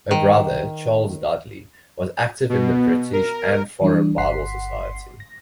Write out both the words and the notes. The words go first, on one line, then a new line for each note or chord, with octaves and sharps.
Her brother Charles Dudley was active in the British and Foreign Bible Society.
D#3
B2
A#4
E3 G3 D4
G1 F#5 C6 B6 C7
A#6